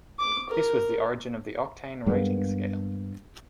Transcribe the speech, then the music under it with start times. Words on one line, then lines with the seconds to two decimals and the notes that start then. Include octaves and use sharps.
This was the origin of the octane rating scale.
0.19 D6
0.49 A#4
2.06 G2 G#3 A#3 B3